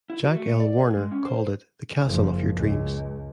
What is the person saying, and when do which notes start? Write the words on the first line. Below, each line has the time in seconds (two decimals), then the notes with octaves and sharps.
Jack L. Warner called it "The Castle of Your Dreams".
0.10 E4
0.23 F#4
0.36 A3
0.60 D5
0.79 G#4
0.97 G#3
1.12 C#4
1.25 C5
2.05 F#1 F3
2.57 C#2